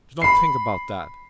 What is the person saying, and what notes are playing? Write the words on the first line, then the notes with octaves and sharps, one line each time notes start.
Do not think about that.
B5 C7